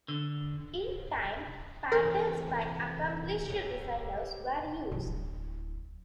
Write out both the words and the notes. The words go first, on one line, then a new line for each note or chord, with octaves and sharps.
In time, patterns by accomplished designers were used.
D3
E3 A3 C4 A#4
G4 C#5
D1 E4